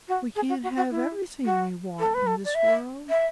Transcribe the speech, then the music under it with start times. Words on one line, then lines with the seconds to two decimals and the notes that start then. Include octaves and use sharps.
"We can't have everything we want in this world."
0.08 F#4
0.36 G#4
0.49 F#4
0.63 F#4
0.77 F#4
0.91 E4
1.46 F#4
2.00 A4
2.14 B4
2.27 A4
2.45 D5
2.55 E5
3.10 E5